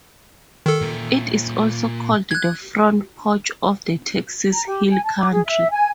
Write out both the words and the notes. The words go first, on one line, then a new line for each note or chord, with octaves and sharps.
It is also called "The Front Porch of the Texas Hill Country".
D#3 A4
A#2 E5
F#6 G#6
A#5
G4
G#5
A5
D6
G#4
E5
G#5